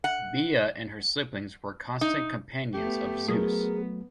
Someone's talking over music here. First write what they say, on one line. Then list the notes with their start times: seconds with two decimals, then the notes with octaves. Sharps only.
Bia and her siblings were constant companions of Zeus.
0.04 F#5
2.01 D#4
2.74 A3 B3 G4
3.28 F#3 A3 B3 G#4 A#4